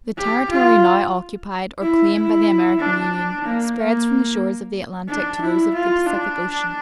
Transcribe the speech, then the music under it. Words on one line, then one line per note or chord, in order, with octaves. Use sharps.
The territory now occupied or claimed by the American Union spreads from the shores of the Atlantic to those of the Pacific Ocean.
G4
F4
E4
E4
D4
A#3
A#3
D4
E4
F4
D4